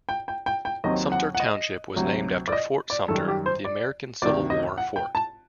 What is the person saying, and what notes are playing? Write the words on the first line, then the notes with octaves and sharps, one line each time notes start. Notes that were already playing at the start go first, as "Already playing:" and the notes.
Sumter Township was named after Fort Sumter, the American Civil War fort.
G5
G5
G5
G5
D#2 D#3 F#3 C4 D#5
F#5
F#5
D#5
D2 C3 F#3
D5
D#5
D5
F#2 D#3 G3 A4
G4
C5
D5
D2 C3 D#3 D5
D#5
F#5
G5
A5